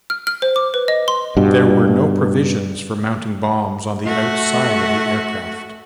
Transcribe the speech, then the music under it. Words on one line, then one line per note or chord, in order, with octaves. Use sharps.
There were no provisions for mounting bombs on the outside of the aircraft.
F6
F6
C5
D6
B4
D#5
C6
G2 B2
A3 F#4